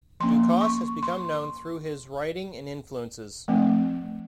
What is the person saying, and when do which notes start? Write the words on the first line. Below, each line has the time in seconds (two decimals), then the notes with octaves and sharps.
Ducasse has become known through his writing and influences.
0.20 F3 A#3 C#4 C6
0.61 C#6
1.03 C6
3.48 F3 A3 C4